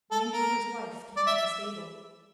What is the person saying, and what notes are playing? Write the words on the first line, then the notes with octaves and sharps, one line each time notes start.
The inn-keeper's wife came to the stable.
A4
A#4
D5
E5
E5